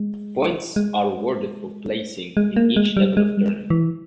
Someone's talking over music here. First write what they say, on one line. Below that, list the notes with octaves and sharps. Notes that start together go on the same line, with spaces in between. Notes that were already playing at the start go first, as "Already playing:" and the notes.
Points are awarded for placing in each level of tournament.
Already playing: G#3
G#3
G#3
A#3
G#3
G3
G#3
G3
G#3
E3